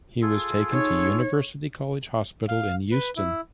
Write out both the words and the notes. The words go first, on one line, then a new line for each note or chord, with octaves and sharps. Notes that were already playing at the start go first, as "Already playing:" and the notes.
He was taken to University College Hospital in Euston.
F4 G#4 A4
D#4 C#5
F5
B4
E4